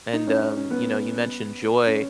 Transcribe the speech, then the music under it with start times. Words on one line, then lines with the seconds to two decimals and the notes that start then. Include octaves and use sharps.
And, um, you know you mentioned joy
0.13 D#4
0.27 C#4
0.42 C#4
0.56 C#4
0.71 B3
1.87 C#4